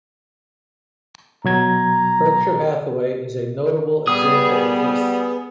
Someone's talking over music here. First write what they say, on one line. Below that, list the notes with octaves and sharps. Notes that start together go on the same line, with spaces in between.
Berkshire Hathaway is a notable example of this.
B2 F#3 A#5 G#6
G3 B3 G#4 D#6